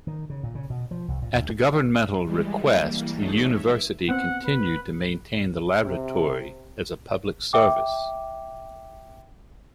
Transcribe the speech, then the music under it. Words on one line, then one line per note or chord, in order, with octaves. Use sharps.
At governmental request, the University continued to maintain the Laboratory as a public service.
D#3
C#3
A#2
C#3
B2
F3
C2
A#2
D2
E3 G3 G#3
E3 G3 A#3
F#3 G#3 A3 D#4 A4 C#5
E5
B3 C4 F#5
B4
C3
E5 G5 D6